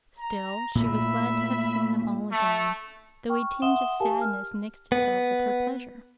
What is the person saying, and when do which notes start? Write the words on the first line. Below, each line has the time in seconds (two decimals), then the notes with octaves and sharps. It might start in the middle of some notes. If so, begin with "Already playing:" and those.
Still she was glad to have seen them all again, though a tinge of sadness mixed itself with her pleasure.
0.18 A#5
0.75 A#2 A3 E5 B5
2.31 A3
3.29 G5 C#6 F6
3.62 E5 F#5 C6 D#6 E7 G7
4.00 G4 A#4 F5 G#5 A5
4.21 F6
4.92 B3